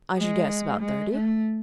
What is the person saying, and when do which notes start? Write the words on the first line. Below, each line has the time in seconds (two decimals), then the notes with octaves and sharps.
'I should guess about thirty.'
0.17 G#3
0.80 G#3
1.12 A3